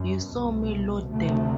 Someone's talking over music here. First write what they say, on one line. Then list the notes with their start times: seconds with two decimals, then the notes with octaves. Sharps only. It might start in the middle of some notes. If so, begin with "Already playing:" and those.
You saw me load them.
Already playing: F#2
0.26 C2 B2
1.11 D2 C3 A3